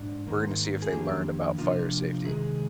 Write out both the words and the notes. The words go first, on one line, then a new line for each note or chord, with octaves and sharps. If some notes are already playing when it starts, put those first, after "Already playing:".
we're going to see if they learned about fire safety,"
Already playing: G#2 D4
G#2 D#3 A#3
G#4
F2 D#3 A#3 D4 G4
C3 F3 A#3 D4 F4
C3 D#3 G#3 G#4